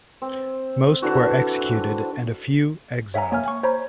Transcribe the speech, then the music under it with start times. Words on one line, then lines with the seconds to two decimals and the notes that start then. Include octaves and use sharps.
Most were executed and a few exiled.
0.22 C4
1.02 D3 E3 F#4
3.14 C#5 E5 F#5 G#5 A#5
3.32 A#3 C#5 G#5 F6
3.46 G#5 C#6
3.63 C5 C#5 A#5 B5